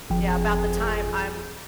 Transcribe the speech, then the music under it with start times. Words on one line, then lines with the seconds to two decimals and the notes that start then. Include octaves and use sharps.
yeah, about the time I'm,
0.10 G1 F2 F3 G#4 G5